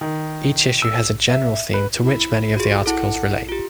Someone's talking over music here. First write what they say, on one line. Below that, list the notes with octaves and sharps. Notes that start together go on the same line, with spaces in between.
Each issue has a general theme to which many of the articles relate.
D#3
E6
E5
B4
E4
F4 F#4 G#4
E4 A4 F#5
F4 G4